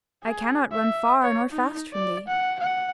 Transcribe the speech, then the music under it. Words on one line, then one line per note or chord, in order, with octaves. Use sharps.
I cannot run far or fast from thee.
G#4
E5
C#5
D#4
D5
F#5
F#5